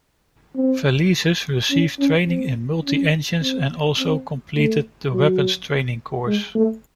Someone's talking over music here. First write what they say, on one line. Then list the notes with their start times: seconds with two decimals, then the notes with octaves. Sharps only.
Felices received training in multi-engines and also completed the weapons training course.
0.56 C4
1.71 C#4
1.99 C#4
2.27 C4
2.85 C#4
3.41 C4
3.99 C4
4.55 A3
5.13 F#3
6.27 G#3
6.55 A3